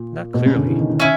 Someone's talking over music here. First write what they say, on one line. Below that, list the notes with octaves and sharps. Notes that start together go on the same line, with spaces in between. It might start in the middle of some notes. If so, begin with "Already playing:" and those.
"Not clearly."
Already playing: A#2
B2
C#3
D3
E3
D#3
D#3
C#4 E4